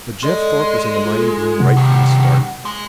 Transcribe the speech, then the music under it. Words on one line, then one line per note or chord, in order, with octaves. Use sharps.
But Jeff Thorpe was in the mining boom right from the start.
G#3 A4 D5 D#5
F4 A4
C3 F#5
G2 D#3 F#5
G#3